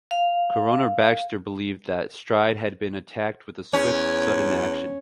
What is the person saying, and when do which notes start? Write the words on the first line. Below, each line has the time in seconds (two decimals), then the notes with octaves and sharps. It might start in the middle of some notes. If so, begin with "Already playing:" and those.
Coroner Baxter believed that Stride had been attacked with a swift, sudden action.
0.11 F5
3.73 E2 C#4